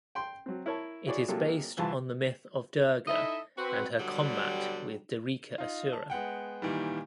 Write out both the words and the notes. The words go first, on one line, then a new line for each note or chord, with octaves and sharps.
It is based on the myth of durga and her combat with Darika asura.
G5 C6
F#3 C4
E4 A#4 C#5 A5
E4 F#4 G#4 C#5 D5
C3 F#3 G#3 A#3 F4 A4
C2 E3 F4 A5 C6
D#4 E4 A4 D#5 E5
C4 F#4 B4
B2 D3 F#3 G3
D#4 F4
A5
G#3 B3 F#5 G5
A#2 D#3 E3 G3